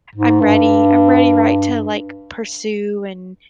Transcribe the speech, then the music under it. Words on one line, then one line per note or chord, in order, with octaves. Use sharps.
I'm ready I'm ready, right, to, like, pursue and,
G#2
G2